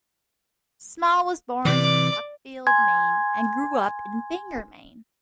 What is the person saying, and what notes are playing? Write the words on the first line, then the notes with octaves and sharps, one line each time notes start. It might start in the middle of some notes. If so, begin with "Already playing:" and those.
Small was born in Buckfield, Maine and grew up in Bangor, Maine.
C3 E3 D5 D6
G#5 C6 G#6